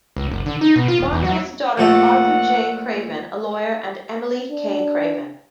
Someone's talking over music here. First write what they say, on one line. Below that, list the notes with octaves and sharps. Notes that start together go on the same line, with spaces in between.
Margaret was the daughter of Arthur J. Craven, a lawyer, and Emily K. Craven.
C#2
F#1
D3
D#4
B2
F4
D#1
E2
F#3
A#1 A3 A4 F#5
D4